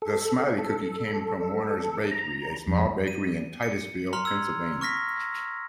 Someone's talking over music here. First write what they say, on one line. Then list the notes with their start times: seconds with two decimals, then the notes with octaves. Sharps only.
The Smiley Cookie came from Warner's Bakery, a small bakery in Titusville, Pennsylvania.
0.02 A4
0.58 A4
2.11 A#5
2.67 F2
3.08 D#7
3.63 C#7
4.13 A#5 C6 F6 F7
4.25 E6 G#6
4.81 C#6 F6 A#6 B6